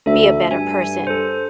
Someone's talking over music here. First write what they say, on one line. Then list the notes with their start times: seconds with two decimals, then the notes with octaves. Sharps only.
be a better person.
0.06 D2 A4 E5
0.51 G2 G#5
1.07 A4 C5